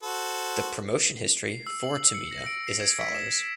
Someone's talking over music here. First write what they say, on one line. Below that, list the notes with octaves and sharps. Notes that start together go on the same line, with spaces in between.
The promotion history for Tomita is as follows.
F#4 A4 C5
C7
E6
F#7
C#7
A#6
D7
C7
G#6
B6
E7
E7